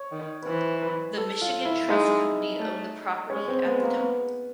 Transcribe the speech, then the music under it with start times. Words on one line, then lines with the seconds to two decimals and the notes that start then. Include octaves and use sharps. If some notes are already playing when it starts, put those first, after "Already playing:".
The Michigan Trust Company owned the property at the time.
Already playing: C#5
0.12 D#3
0.42 B4
0.47 E3 C5
0.82 B4
1.18 A4
1.42 F4
1.65 E4
1.89 G#3 D#4
2.59 A3
3.30 G#3 C#4
3.48 C4
3.66 G#3 B3
3.83 A#3
4.01 B3